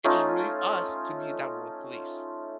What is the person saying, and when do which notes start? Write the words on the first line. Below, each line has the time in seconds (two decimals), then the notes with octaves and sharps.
It's just really us to be that world police.
0.04 A3 C#4 D#4 F4